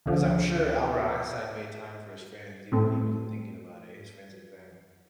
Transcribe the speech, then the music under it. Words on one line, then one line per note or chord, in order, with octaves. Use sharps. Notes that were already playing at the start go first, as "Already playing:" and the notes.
'cause I'm sure Albert Einstein made time for his friends even when he wasn't thinking about it, his friends and family,
D2 D3 F3
A2 A3 C4